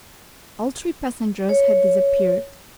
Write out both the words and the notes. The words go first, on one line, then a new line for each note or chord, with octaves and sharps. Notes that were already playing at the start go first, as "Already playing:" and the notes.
All three passengers had disappeared.
C#5